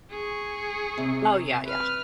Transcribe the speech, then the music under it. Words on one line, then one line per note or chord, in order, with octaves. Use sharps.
Oh, yeah, yeah.
G#4 C#6
C3
B4 F6